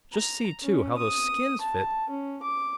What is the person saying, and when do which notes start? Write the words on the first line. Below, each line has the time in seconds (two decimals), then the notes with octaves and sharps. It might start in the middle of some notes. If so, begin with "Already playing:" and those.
Just see, too, how those skins fit!
0.13 A#5
0.63 C#4
0.98 D#6
1.61 A5
2.10 C#4
2.42 D6